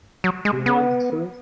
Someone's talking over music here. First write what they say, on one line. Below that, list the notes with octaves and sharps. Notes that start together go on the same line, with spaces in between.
You want the truth?
F#3
G#3
B3